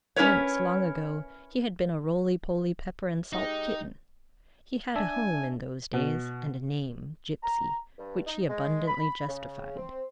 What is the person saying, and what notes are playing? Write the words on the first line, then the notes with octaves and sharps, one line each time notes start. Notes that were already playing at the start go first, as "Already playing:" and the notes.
Once, long ago, he had been a roly-poly pepper-and-salt kitten; he had a home in those days, and a name, "Gipsy," which he abundantly justified.
C#4 E4 A#4 B4 C#5
G#3 D#4 G4 D#5
D4 E5 G#5 A5
B2
A#5
G2
D#4
G#3
B5
C#3
C4